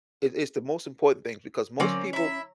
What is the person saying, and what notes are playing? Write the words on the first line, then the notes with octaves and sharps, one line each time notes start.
It it's the most important thing, because most people
D3 F#3 A#3 C4 C#4 D5
E4 C#5 E5 A#5